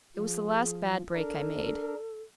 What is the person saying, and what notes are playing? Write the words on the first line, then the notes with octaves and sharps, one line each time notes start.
It was the last bad break I made.
F3 G#4
D4 A4 A#4